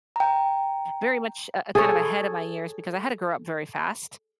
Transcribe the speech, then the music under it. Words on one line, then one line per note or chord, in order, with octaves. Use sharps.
very much, uh, kind of ahead of my years, because I had to grow up very fast.
G5 A#5
G#4 A4 C#5